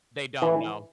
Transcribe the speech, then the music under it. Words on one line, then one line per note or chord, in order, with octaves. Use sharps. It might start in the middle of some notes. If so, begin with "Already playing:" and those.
They don't know.
E3